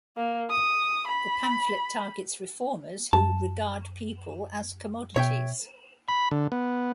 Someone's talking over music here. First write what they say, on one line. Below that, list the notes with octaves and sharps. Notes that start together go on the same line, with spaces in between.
The pamphlet targets reformers who "regard people as commodities".
A#3
D#6
B5
F#2 A5
B2 C#5 E5 G5
B5
D3
B3